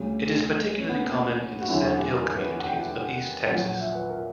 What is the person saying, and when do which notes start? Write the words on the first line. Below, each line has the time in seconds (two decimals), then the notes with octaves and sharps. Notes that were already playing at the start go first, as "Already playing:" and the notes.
It is particularly common in the sandhill communities of east Texas.
Already playing: D2 C#3 G3 C#4
0.78 C#4
0.89 B3
1.00 A#3
1.12 B3
1.62 F#4
1.68 E2 D3 F#3 E4
1.83 F#4
1.98 G4
2.14 A#4
2.36 B4
2.59 F#5
2.67 G5
2.77 F#5
3.43 G5
3.49 A#1 A#2 F#3 F#5
3.65 F#5
3.80 E5
3.95 B4
4.10 A#4